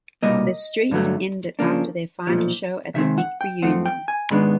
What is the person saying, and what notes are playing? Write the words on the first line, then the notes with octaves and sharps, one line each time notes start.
The Streets ended after their final show at The Big Reunion.
C2 B2 G3 A#3 D#5
G2 D3 F#3 A3
C#3 F3 A#3 D4
B1 A#2 F3
C3 D#3 G#3 C4 E5
F#5
G5
F#2 C#3 F3 A3 C4 F#5
G5
G#5
G#2 D#3 G#3 B3 D4 B5